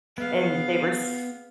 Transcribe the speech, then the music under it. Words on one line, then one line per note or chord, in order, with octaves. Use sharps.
and they were s
B3 G#4 F5